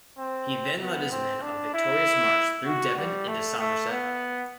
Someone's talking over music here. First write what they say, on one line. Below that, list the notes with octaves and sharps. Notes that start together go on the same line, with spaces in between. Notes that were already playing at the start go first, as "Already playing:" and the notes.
He then led his men on a victorious march through Devon into Somerset.
C4
B3
C4
D4
E4
F#4
G3
A3
A3
B3